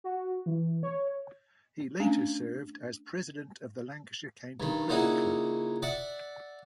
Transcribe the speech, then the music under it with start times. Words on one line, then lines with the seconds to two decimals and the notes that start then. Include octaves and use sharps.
He later served as president of the Lancashire County Cricket Club.
0.04 F#4
0.46 E3
0.83 C#5
2.00 A3 C#4 D4
4.60 G2 D#3
4.89 A#2 C#3 D#4 E4 F#4
5.82 D5 E5 F#5